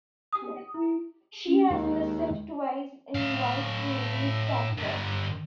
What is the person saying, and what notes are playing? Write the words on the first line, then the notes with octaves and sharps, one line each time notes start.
She has listed twice in White Ravens catalogue.
D#6
E4
C#4
D#2 G#3
A2 F5
G2 D3